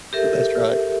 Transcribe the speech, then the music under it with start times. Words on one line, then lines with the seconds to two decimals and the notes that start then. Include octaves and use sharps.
but that's right.
0.13 G4 A4 A#4 E5